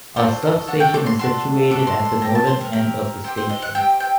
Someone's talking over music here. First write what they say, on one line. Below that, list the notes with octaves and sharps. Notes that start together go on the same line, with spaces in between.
A substation is situated at the northern end of the station.
D4 F#4 A4 C5
D#5
D4 F#4 A4 F#5
G5
D6
C6
D4 F#4 A4 C6
D4 F#4 A4 D6
C6
C6
C4 G4 A#5
A5
C5
A#4
C4 G4 A#4
C4 G4 C5
C5
D#5
F#5
C4 G4 G5
G5